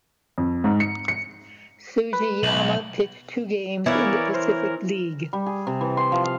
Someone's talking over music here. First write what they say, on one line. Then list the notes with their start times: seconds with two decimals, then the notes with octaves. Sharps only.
Sugiyama pitched two games in the Pacific League.
0.38 F2
0.64 G#2
0.80 C#7
1.08 C#7
2.13 B4
2.43 B1 F#7
3.86 E3 B3 E4 A#4 C#5 D5 F5
4.34 A#4 C5
5.33 G3
5.46 G#4
5.67 C3
5.81 E3
5.97 C6
6.12 F3
6.24 F5